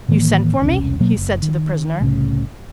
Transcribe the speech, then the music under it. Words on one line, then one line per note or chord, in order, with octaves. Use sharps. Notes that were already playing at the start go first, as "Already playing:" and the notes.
"You sent for me?" he said to the prisoner.
A2 D#3 E3 A#3
E1 C2 C#3 C#4
B2 F#3 A#3
F#1
D#3
C2 A2 C#3